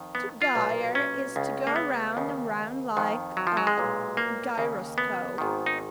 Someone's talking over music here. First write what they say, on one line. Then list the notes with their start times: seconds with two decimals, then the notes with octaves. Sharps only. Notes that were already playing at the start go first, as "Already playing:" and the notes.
'To "GYRE" is to go round and round like a gyroscope.
Already playing: F2 D#3
0.15 B3
0.42 F4
0.55 B1 A#2
0.95 C#4
1.36 C#2 C#3
1.67 A#3
1.76 B3
2.17 D#2 C#3
2.97 F2 D#3
3.37 F#3
3.47 F3
3.57 F#3
3.67 G#3
3.78 B1 A#2
4.17 A#3
4.58 D#2 C#3
4.98 B3
5.38 G#1 G#2 D#3
5.66 D#4